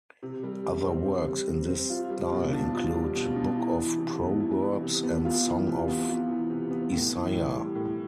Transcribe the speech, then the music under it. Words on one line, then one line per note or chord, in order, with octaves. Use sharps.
Other works in this style include "Book of Proverbs" and "Song of Isaiah".
C3
G3
C3
C4
C3
G3
C3
C4
F4
G3
B2
D4
F4
G3
B2
D4
E4
E3
C3
B3
E4
E3
C3
B3
F4
E3
C3
B3
F4
E3
C3
B3
A2
E3
A2
G3
A2